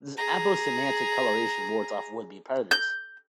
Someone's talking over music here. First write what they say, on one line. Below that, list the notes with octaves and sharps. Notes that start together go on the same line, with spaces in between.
This aposematic colouration wards off would-be predators.
G#4 A#5
G6